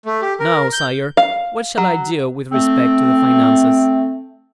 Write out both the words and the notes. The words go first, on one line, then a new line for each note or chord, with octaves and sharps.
"Now, sire, what shall I do with respect to the finances?"
A3
G4
A#4
G6
F5
F#3
A3 C4